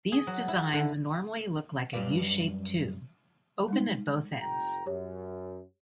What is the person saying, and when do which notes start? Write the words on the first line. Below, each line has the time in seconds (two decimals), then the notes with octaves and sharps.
These designs normally look like a U-shaped tube, open at both ends.
0.12 G#4
0.27 F#3
0.48 E4
0.74 D3
1.93 F#2 G3 B4 D5 F5
3.68 G3 G#3 D#4
4.37 F#1 G5 A#5
4.86 F#2 G4 C#5